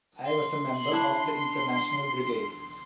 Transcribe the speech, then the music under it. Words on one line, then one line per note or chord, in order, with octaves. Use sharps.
I was a member of the International Brigade.
C6
D4 E4